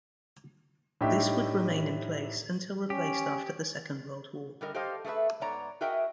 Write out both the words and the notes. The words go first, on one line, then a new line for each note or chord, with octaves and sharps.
This would remain in place until replaced after the second world war.
A2 D4 D#4 G4 E5
C#4 G4
D3 G3 A#4 D#5
G4 A4 C5 D#5 F5
A3 G#4 A4 B4 E5
G#2 B3 C#5 D5 A#5
F#4 G#4 A#4 D#5 E5 G5